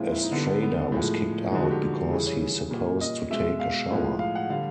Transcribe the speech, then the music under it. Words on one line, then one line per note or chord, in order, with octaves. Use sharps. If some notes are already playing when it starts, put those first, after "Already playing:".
Estrada was kicked out because he supposed to take a shower.
Already playing: A#2 F3 G#3 C4 E4 F4
E4
D#4
D3 G3 B3
B3
B3
A2 F3 G#3
D3 F3 G#3 D#4
F#4
G4
C#3 E3 G3 G#4
C#5
A#2 G3
D#5
B2 G#3 E5
F5
A2 F3 G#3
F5
F#5
D3 G3 F5